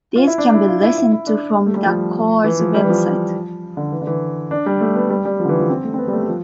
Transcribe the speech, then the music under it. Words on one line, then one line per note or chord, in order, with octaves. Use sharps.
These can be listened to from the choir's web site.
F4
E4
D4
E4
F4
E4
E4
E4
D4
A3
G3
F3
E3
F3
G3
E3
F3
D3
E3
D3
E3
D4
G3
A3
B3
G3
G3
F3
D3
E3
F3
C4
A3
C4
B3
G3
A3
G3
F3